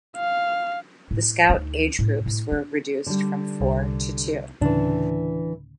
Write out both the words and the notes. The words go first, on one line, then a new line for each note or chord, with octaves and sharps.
The Scout age groups were reduced from four to two.
F5
A2
D2 D#4
A2
A2
D4
D3 G3
C2
D2 A2 C#3 E3 D4